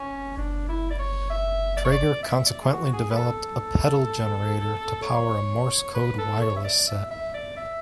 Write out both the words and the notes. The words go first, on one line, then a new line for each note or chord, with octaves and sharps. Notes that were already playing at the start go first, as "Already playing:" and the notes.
Traeger consequently developed a pedal generator to power a morse code wireless set.
Already playing: C#4
D4
E4
D5
C#5
E5
D5
C#5
D5
E5
D5
G#4
F#4
G#4
B4
A4
C#5
B4
A4
C#5
E5
D5
D5
E5
E5
D5
E5